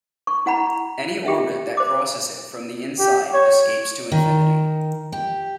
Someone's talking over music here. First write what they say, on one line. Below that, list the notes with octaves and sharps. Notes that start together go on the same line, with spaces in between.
Any orbit that crosses it from the inside escapes to infinity.
C#6
E4 F#5 A#5 B5
F4 G4 E5
C5 D6
G4
C#5
D#3
G4